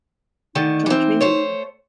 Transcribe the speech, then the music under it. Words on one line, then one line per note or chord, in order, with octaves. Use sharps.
Do you wanna watch a movie with me?
D3 D#3 A3 D#4
E3 C4
A3 C5 C#5